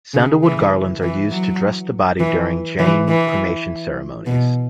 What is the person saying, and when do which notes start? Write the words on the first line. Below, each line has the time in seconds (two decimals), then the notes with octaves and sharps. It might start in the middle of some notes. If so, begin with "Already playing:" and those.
Sandalwood garlands are used to dress the body during Jain cremation ceremonies.
0.14 C#3
0.43 E3
1.02 E3
1.31 F#3
2.20 E3
2.79 E3
3.08 E3
4.26 B2